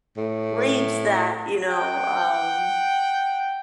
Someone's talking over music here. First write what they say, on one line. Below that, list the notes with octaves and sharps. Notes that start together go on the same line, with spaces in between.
Reads that, you know, um
A2
F#5 G5